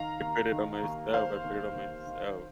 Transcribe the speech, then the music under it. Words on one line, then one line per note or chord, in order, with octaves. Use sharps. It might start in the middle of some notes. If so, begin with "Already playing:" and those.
put it on myself, I put it on myself.
Already playing: D#3 F5 A#5
D#2
D#3
D#2
D#2 C5 F5
D#2
D#2
D#3